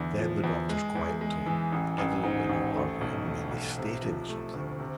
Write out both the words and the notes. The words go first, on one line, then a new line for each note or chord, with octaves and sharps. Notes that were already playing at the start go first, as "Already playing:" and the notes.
Then the doctor's quiet tone, evidently not arguing, merely stating something.
Already playing: E2 D3
F3
E2
G#3
E2
G#3
E3
A1
A1
G#2
A1
A3
B1
A3
B1
C3
F3
A3
D2
C3